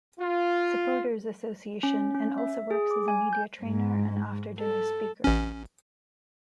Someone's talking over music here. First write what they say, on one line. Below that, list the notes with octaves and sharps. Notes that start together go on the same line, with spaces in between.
Supporters' Association and also works as a media-trainer and after-dinner speaker.
F4
C#4
C#4
E5
G#4
D6
G#5
G6
G#2
A4
A1 C#4